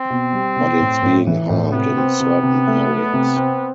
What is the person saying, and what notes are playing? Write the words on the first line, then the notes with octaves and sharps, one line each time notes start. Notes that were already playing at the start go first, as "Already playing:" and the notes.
But it’s being harmed in certain areas.
Already playing: C4
B2
G3
B2
A2
A2
E3
A2
C3 B3
C4
C3
C3
A3
A3
C3
C4